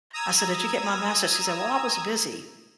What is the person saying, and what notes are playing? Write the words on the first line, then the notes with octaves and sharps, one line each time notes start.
I said, "Did you get my message?" She said, "Well, I was busy."
A#5 D#6 E6 G#6